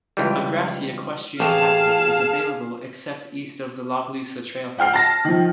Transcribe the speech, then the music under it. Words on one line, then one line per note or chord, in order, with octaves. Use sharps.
A grassy equestrian pathway is available except east of the Lochloosa trailhead.
C#2 E3 G3
A1 G#4 F5 A5
F#5 G5 F6 C7
A5 A6 A#6
D#3 F3